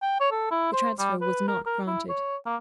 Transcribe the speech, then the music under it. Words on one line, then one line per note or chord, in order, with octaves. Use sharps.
The transfer was not granted.
G5
C#5
A4
E4
C5
G3
B4
A#4
A#4
E4
C#5
A#3